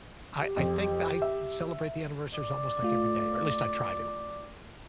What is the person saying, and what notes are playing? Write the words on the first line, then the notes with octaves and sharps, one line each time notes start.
I I think that I celebrate the anniversaries almost like every day, or at least I try to.
G4
F2
E5
D5
A3 F4